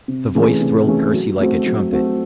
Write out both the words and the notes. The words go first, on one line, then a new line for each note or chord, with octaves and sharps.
The voice thrilled Percy like a trumpet.
C3
E3 A3 C#4 G#4
C3
E3 A3 C#4 G#4
F#3
A3 C4 F#4
F#3
A3 C4 F#4